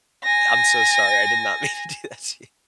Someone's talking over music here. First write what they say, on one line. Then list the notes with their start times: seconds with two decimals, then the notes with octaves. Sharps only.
I'm so sorry. I did not mean to do that to you.
0.23 G#5 A#6